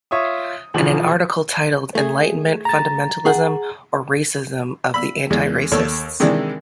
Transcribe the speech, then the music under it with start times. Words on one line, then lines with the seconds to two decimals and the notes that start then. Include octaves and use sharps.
In an article titled Enlightenment Fundamentalism or Racism of the Anti-Racists?
0.11 F4 C#5 E5 D#6
0.74 E1 E2 F3 F#7
1.95 A3 G#4
2.65 A#5 A6
3.26 G#4 F#5
4.94 B5 E6
5.30 E2 G#3
5.72 D#2 A4 C#5
6.20 C3 D#3 E3 G#3 D4